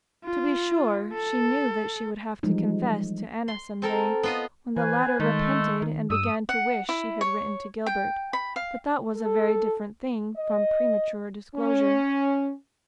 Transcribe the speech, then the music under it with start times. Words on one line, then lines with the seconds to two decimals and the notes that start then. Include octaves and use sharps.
To be sure, she knew that she would have to confess to Anna some day, when the latter repented and began to wish she had written to Gilbert, but that was a very different thing from premature disclosure.
0.24 F4
1.12 A4
2.43 E3 F3 G3 G#3 D#4
3.48 C6
3.82 C4 A4 A#4
4.23 B3 F4 D#5
4.77 E3 B4 C5 G#5
5.20 D#3 G#3 A3
5.82 D#3
6.10 G2 D#6 E6
6.49 F#5
6.89 E4
7.21 C#5
7.86 G5
8.33 B5
8.56 F5
9.17 A4
10.37 D#5
11.56 C#4